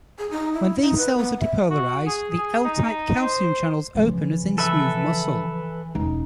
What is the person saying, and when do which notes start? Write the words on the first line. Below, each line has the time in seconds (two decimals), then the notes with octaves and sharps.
When these cells are depolarized, the L-type calcium channels open as in smooth muscle.
0.19 G#4
0.31 D#4
0.54 E4
0.82 D#4
0.97 B4
1.17 B3
1.40 E5
1.71 F#4
2.07 G#4
2.38 G#4
2.65 D#4
3.22 C5
3.95 C#3 E3 F3
4.58 A4 B4 E5
5.95 E1 C#4 D#4